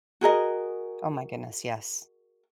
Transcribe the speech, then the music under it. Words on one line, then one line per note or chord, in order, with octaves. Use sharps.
Oh my goodness, yes.
F#4 G#4 A#4 D#5